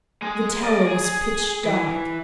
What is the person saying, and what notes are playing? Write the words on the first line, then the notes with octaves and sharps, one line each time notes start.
The tower was pitch dark.
G#3 G#4
D5 D#5
G#4
G#4
E3